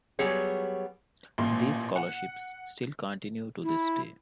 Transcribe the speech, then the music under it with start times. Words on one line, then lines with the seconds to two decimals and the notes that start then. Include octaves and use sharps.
These scholarships still continue to this day.
0.19 F#3 G3 B3 G#4 C#5
1.38 A1 A#2 C6
1.96 F#5
3.63 E4